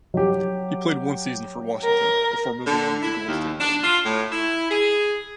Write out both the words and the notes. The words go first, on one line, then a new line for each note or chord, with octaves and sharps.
He played one season for Washington before moving on to the Golden State Warriors.
F#3 G4
A#4
D3
E4
D#2
D4
F4
A2
E4
G#4